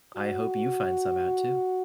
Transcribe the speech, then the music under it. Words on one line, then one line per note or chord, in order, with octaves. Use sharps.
I hope you find some out too.
F#4